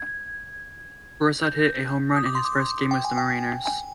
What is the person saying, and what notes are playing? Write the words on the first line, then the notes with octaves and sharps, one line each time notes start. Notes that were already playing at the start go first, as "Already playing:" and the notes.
Broussard hit a home run in his first game with the Mariners.
Already playing: G#6
G6
D#6
D6
C6
D6
G5
G#5
G5
G#5